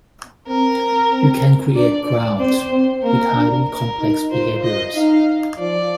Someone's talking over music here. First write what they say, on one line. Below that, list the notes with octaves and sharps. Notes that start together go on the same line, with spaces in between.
You can create crowds with highly complex behaviors.
C4 A#4
C4
D4 D5
D5
C4 C5
C4
A#3 A#4
D4
A#4
D#4
F4 C5
D#5
D#4 F5
F3 D5